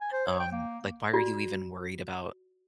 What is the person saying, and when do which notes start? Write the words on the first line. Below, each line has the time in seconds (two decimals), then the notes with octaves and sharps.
um, like, "Why are you even worried about
0.01 G#5
0.13 C5
0.27 C#5
0.40 G5
0.52 A#3
1.13 F4 F#4 D5